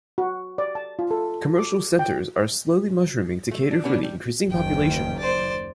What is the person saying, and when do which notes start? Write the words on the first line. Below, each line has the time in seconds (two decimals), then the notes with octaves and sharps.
Commercial centres are slowly mushrooming to cater for the increasing population.
0.18 F#4
0.58 D5
0.75 A5
0.99 F4
1.11 A4
1.59 D6
1.99 G5
3.51 A3
3.71 D4
3.84 B2 G3 B3 C#4 D4
4.03 G3
4.50 F#1 D#2 D#3 G5
5.19 C5 D5